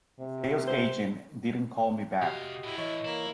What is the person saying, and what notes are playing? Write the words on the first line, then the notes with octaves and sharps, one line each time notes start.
The sales agent didn't call me back.
C3
C5
C3 F#4 G4 D#5 F5
A2 D3 E4
E3 C#5 D#5
A#3 E4